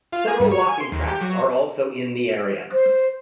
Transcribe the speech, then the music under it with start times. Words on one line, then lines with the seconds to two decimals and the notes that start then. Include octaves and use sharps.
Several walking tracks are also in the area.
0.13 F4
0.28 G#4
0.40 G2
0.51 C#5
0.68 G#5
0.80 C6
0.92 D#2
1.08 G4
1.21 F#3
2.72 C5